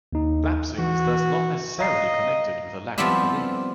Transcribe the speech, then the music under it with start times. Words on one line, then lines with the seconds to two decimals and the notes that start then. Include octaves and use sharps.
Lapsing is thus not necessarily connected with a lack of belief.
0.13 D#2 D#4
0.78 E3 F#4
1.79 D#5 F5 A#5 C7
2.98 F3 G3 B3 C4 E4 G4